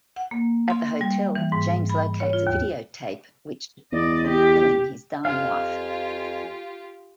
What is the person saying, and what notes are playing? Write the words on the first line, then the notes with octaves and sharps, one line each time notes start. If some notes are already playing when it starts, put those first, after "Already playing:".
At the hotel, James locates a videotape which depicts him killing his dying wife.
F#5
A#3
C6
G3
E3
G#2
B5
C#5
F4
D#2
E2 D5 D#5
G4
F2 F4 G4 F5 G#5